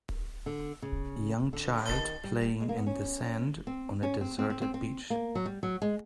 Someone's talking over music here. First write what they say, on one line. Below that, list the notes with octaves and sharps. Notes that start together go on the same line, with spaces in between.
Young child playing in the sand, on a deserted beach.
D3
C#3
D3
D#3
G3
G#3
A#3
B3
C#4
C4
C#4
C4
C4
C4
C4
C4
A#3
F#3
G3
F#3
G#3